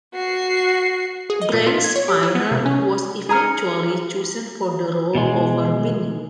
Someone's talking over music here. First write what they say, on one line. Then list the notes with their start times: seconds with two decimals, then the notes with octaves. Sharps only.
Brent Spiner was eventually chosen for the role over Menyuk.
0.15 F#4 C7
1.30 G#4
1.42 D#5
1.53 A#2
1.67 F4
1.84 G#6
1.96 C#5
2.08 G4
2.23 E4
2.35 B3
2.51 C3
2.66 C#4
3.29 G#4 A#5 F6 C#7
5.15 B2 E3 G#3